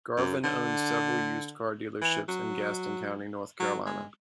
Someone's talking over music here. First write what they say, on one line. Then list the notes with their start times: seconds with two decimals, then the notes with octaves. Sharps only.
Garvin owns several used car dealerships in Gaston County, North Carolina.
0.17 F#2
0.44 D3
2.01 E3
2.28 F#3
3.60 F#3
3.86 G#3